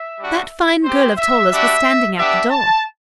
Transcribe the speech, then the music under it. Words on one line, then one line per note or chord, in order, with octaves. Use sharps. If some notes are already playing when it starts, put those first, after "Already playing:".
That fine girl of Toller's was standing at the door.
Already playing: E5
G3 D4 F#4
C4 G4 C5
E5
G3 D4 F#4 E5
B3 D4 G4 E5
A5